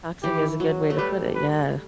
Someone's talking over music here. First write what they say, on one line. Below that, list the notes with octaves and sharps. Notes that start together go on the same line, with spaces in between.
Toxic is a good way to put it, yeah.
E3 G4
F#3
A3
G3 B4
B4